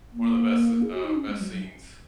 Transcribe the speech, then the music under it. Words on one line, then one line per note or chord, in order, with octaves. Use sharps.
one of the best, uh, best scenes,
A#3
G#4
F#4
D#4
C#4
G#3
F#3